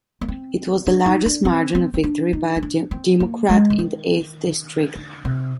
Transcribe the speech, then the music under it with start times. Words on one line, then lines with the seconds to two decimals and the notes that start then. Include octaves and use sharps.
It was the largest margin of victory by a Democrat in the Eighth District.
0.21 A#3
0.28 C4
0.87 D4
1.06 D#4
1.26 D4
1.45 C4
1.75 C4
1.94 C4
2.03 D4
2.33 D#4
2.57 D#4
2.63 D4
2.91 C4
3.20 A#3
3.50 G#3
3.70 D3
3.79 D#3
4.96 D3
5.25 C3